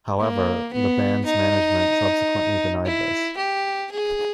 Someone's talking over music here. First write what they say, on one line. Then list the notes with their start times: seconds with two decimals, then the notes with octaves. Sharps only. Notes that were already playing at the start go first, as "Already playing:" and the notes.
However, the band's management subsequently denied this.
0.20 A#3
0.73 B3
1.26 D#4
2.85 E4
3.38 G4
3.91 G#4